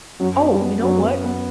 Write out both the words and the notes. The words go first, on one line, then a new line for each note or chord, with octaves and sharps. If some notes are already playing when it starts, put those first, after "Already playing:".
Oh, you know what?
F#2 F#3
B3
G3
B3
F#2 F#3
B3
B3